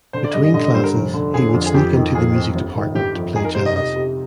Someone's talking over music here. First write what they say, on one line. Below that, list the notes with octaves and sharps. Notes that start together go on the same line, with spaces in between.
Between classes he would sneak into the music department to play jazz.
D3 C5
D5
G2 D#5
D#5
D3 D#5
D#5
G2 C5
A#4
F1
D3
D3 G#4
F2
G#4
F2 G4
D#3
F2 G#4
C4
G1
D#3
G1 G4
F2
D#4 G#4
A#4
C3 C5
D#5
C3 D#5
C3